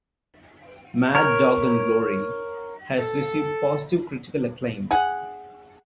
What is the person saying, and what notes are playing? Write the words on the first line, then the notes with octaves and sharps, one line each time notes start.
"Mad Dog and Glory" has received positive critical acclaim.
A#4 C#5
A4
G#4 F#5